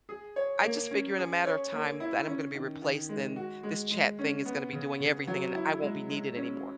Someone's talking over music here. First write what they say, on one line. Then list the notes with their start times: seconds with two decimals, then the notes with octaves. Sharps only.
I just figure in a matter of time that I'm gonna be replaced, then this chat-thing is gonna be doing everything and I won't be needed anymore,"
0.09 G#4
0.36 C#5
0.64 A#3
0.91 C#4
1.18 G#4
1.45 C#5
1.72 A#3
2.00 E4
2.28 C#4
2.54 D#3
2.82 D#3
3.09 G#3
3.36 F#4
3.63 G#3
3.91 G#3
4.19 C#4
4.45 B3
4.73 C#3
5.00 C#3
5.27 F#3
5.54 E4
5.82 G#3
6.09 G#3
6.37 C#4